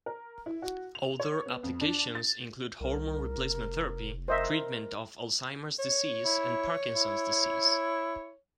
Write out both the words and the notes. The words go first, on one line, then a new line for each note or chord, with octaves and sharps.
Other applications include hormone replacement therapy, treatment of Alzheimer's disease and Parkinson's disease.
A#4
E4
F#4
F7
C#5
B3
F2
D4
A6
C2 A#4
F1
A#4 C5 D#5 E5
C#5
E4
E4